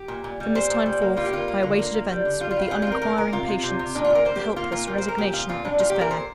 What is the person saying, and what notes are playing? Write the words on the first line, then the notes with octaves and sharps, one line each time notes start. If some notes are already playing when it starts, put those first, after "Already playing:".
From this time forth, I awaited events with the uninquiring patience, the helpless resignation of despair.
Already playing: G4
A#2
A#2
G3
A#2 C5
A#2
G3
A#3
G3 F4
G4
A#3 F4
A#3
D3
A#3
A#3
G3
D3
G3 F4
F4
G3
F4
A#2 G4
F4
C4 A#4
A#2 A#4
A#2 A#4
C3 F4
C3
C3
C3
A#2 D4
F4
A#2
A#4
A#3 C5
G4
A#3
A#3 F4
A#2 F4
A#3 G4
A#2 C5
A#4
A#2 G4
F3 F4
A#2 F4
A#2 D4
A#2 F4
G4
A#2
A#4
A#2 C5